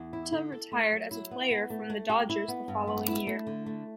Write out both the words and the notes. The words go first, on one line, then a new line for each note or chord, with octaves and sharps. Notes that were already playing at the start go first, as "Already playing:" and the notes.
Mota retired as a player from the Dodgers the following year.
Already playing: E2
E4
D3
A4
A3
F#3
E4
B3
B3
A3
A3
G4
E4
B3
G2
B3
E4
A3
D3
A3